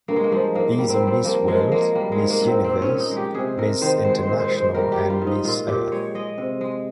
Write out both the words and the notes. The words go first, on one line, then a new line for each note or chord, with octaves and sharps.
These are Miss World, Miss Universe, Miss International and Miss Earth.
G2 A#3
G#3
A#3
F3 G#3
G#2 A#3
A#3
G3
C4
G3
C4
F3 A#3
F3 G#3
G#3 A#3
G3 A#3
G#3
G#2
A#3
G#2
C4
A#2 C4
C#4
A#2
D#4
G#3
G4
C3 G#4
C3 A#4
D#3 C5
G#3 C5
A#2 C5
C5
G#3
C5
G3 A#4
G4
G3
F4
G#2
D#4
A#2 F4
A#2 G4
G#3 C#5
G#3 D#5
C3
G#3